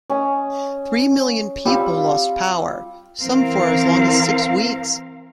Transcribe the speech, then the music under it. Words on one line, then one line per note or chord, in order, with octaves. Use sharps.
Three million people lost power, some for as long as six weeks.
C#4 D#5
G3 C4 F4
E3 C4 A#4 F5